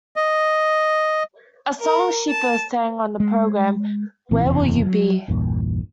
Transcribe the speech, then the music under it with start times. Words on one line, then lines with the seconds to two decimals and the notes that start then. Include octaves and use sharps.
A song she first sang on the programme, Where Will You Be?
0.16 D#5
1.81 A#4
2.30 A5
3.20 G#3
4.31 A#1 A#2 E3 C4
4.44 F#1 E2 C3
4.86 F#3
5.28 A#1 E2 G2 A#2